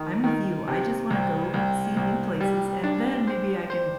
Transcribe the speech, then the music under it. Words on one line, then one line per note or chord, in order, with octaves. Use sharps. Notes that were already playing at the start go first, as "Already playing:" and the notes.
I'm with you, I just wanna go see new places, and then maybe I can,
Already playing: D#3
D#3
C3
C2
C2
C2
G3
D4
C5
C5